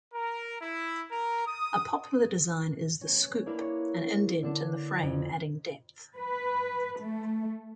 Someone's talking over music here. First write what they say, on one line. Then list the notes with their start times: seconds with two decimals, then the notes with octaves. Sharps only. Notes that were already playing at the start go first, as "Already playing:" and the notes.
A popular design is the scoop, an indent in the frame adding depth.
0.13 A#4
0.60 E4
1.09 A#4
1.46 D#6
3.01 C#4
3.46 A#3 D4 E4 A#4 B4
3.61 C#5
4.43 D3 D4
5.03 F2
6.18 B4
6.99 A3